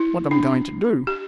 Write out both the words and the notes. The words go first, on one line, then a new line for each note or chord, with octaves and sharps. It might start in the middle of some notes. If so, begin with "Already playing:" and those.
"What um going to do?"
Already playing: E4
D4
G4